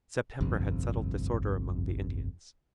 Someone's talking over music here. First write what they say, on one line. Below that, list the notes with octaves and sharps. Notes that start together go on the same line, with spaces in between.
September had settled disorder among the Indians.
G1 C2 F2